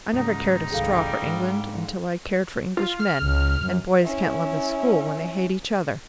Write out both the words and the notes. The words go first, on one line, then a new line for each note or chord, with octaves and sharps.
I never cared a straw for England until I cared for Englishmen, and boys can't love the school when they hate each other.
G#2 C#3 D#4
G#1 C#2 D3 G3 C4 G#4 A4 F5
G#2
F4
F6
C#2
F#2
C#4 E4